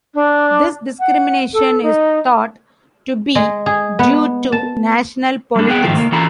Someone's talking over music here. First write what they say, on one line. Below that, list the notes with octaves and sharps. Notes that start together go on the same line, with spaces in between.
This discrimination is thought to be due to national politics.
D4
F#5
A4
D#4
G#3
G#4
B3
A5
G3 D4
B3 G#4 B4 F#5 G5
G#2 D#3 F3 A3
C#2 A#3
E3 C#4 F4 A4 A#5 B5